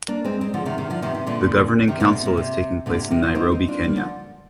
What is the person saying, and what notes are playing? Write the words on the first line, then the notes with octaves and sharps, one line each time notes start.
The Governing Council is taking place in Nairobi, Kenya.
A#3 D4
G#3 C4
G#3 C4
D3 F3
C3 D#3
C3 D#3
D3 F3
C3 D#3
C3
A#2 D3
C3 D#3
A#2 D3
C3
A#2
C3
A#2 D3
C3
C3 D#3
D3 F3
C4 D#4
C4 D#4
D4 F4
G3 A#3
D3 F3